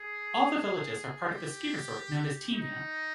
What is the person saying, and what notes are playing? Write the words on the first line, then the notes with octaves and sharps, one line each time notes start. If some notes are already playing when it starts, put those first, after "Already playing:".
All the villages are part of the ski resort known as Tignes.
Already playing: G#4
G4
D#4